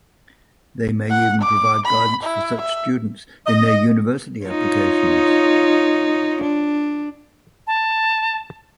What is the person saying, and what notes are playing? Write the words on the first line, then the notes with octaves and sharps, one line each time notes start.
They may even provide guidance for such students in their university applications.
F#5
D6
B5
E4
E5
D#5
D#4 F4 C#5
D4
A5